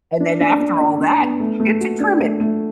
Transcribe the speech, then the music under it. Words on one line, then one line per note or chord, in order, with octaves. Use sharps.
And then, after all that, you get to trim it.
D4
D4
D4
D4
D4
B3
A3
A3
F#4
D4
A3
A3